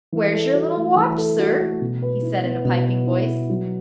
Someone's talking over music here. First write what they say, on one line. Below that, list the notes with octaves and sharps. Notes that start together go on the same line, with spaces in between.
"Where's your little watch, sir?" he said in a piping voice.
E3
A4
F#4
A3
E3
A4
F#4
A3
B2
B4
E4
B3
B2
B4
E4
B3
F#3